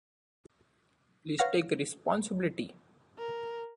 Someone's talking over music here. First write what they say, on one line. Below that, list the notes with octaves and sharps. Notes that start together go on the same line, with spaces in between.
Please take responsibility.
B4 C#5 F5 F#5 F6 A#6
A#4